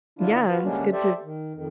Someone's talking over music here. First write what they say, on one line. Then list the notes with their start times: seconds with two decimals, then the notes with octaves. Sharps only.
Yeah, it's good to
0.19 D3 D4 E4 F4
0.49 F4 F#4 B4
0.63 D3 G3 G#3 A#3 C#4 D4
0.92 G4 A4 C5 D5 E5
1.23 D#3
1.54 F2 D#3